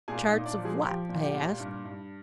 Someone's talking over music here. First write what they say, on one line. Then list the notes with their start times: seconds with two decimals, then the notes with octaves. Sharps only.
"Charts of what?" I asked.
0.08 A#2 G#4 G#5
0.27 D#4 D#5
0.34 A#2
0.46 D4 D5
0.59 F3
0.65 G#3 G#4
0.84 F3 G4
1.09 A#2
1.21 G4
1.34 A#2
1.60 G2
1.85 G2